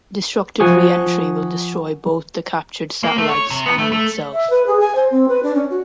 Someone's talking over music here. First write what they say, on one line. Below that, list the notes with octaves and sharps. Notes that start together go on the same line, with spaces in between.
Destructive reentry will destroy both the captured satellites and itself.
F3 F#5 G#5 C#6 D#6
A#3
A3
C#5
C3
B3
A3
A3
E5
B4
G#4
G#5
C5
C4
B4
D4
C#4
F#4